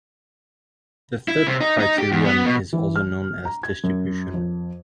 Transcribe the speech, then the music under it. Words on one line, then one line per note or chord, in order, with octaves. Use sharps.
The third criterion is also known as "distribution".
E4
C3
D#4
D#4
G4
E2
B3
B2
E3
F6
A#5
G#6
F#2
F2